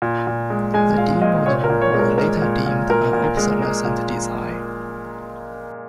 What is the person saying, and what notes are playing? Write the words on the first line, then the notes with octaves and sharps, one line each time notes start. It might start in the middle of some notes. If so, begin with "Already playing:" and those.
The "D" model was later deemed an obsolescent design.
A#2
A#2
G#3
G#3 G#5
G#5
A#2 F5
A#2 D#5
A#2 C#5
A#4
A#2
C#5
G#3
A#4
G#3 A#4
A#2
A#2
A#2 A#4
A#2
G#3
G#3
A#2